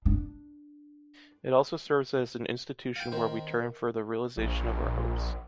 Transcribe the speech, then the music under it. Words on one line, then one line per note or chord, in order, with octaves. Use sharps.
It also serves as an institution where we turn for the realization of our hopes.
D4
F5 G5
D#3 C4
A#1